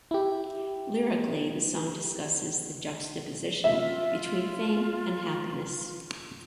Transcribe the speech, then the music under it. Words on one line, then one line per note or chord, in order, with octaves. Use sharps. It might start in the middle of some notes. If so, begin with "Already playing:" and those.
Lyrically the song discusses the juxtaposition between fame and happiness.
E4 G4
F4 E5